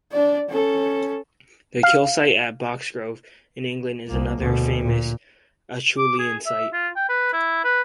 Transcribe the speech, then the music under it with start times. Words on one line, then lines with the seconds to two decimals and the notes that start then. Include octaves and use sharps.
The kill site at Boxgrove in England is another famous Acheulean site.
0.12 D4 D5
0.49 C#4 A4
1.83 F5
4.08 C2 A#3
4.39 D2 B2
4.84 A#2
5.98 D6
6.19 G#4
6.46 E5
6.73 F4
6.96 G5
7.09 B4
7.33 E4
7.65 B4